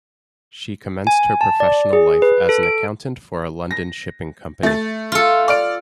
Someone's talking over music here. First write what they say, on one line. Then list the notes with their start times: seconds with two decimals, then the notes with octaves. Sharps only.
She commenced her professional life as an accountant for a London shipping company.
1.07 G#5
1.41 A5
1.60 D5
1.93 G#4
2.22 B4
2.49 A4
2.63 D7
3.71 A#6
4.63 A3 A6
5.12 F4 A4
5.48 D5 F6 D7